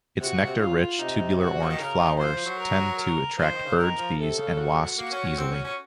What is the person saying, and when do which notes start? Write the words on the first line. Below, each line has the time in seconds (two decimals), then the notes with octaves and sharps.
Its nectar-rich, tubular orange flowers tend to attract birds, bees, and wasps easily.
0.19 C3 F#4
0.33 C#3
0.45 C3
0.55 D#3
0.59 C#3 F4
0.99 C3 D#4
1.39 F#4
1.61 F3
1.70 D#3
1.78 C#3 A#4
1.99 D#3
2.19 F3 C5
2.32 F3
2.46 F#3
2.59 A#4
2.98 A#4
3.38 F3 C5
3.52 D#3
3.65 C#3
3.78 D#3 A#4
3.98 F3
4.19 C3 A4
4.38 C#3
4.58 F#4
4.98 A#3 F#4
5.12 C#4
5.25 C#4
5.37 C4
5.51 C#4
5.65 C#4